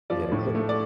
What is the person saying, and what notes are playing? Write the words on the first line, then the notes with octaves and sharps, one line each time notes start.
Yeah, cro
F3 D5
A2
A3
D5